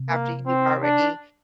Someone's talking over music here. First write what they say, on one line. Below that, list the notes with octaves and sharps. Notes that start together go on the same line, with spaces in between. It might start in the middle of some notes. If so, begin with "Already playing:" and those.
After you've already
Already playing: C3
A#3
C4
D4